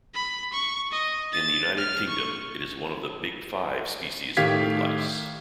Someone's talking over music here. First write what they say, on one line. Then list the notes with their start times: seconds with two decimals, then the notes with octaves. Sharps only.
In the United Kingdom, it is one of the "big five" species of woodlice.
0.14 B5
0.52 C#6
0.91 D#5
1.32 A6
1.78 F6
2.09 C#6
4.37 A2 D#3 G4 F5 G#6 B6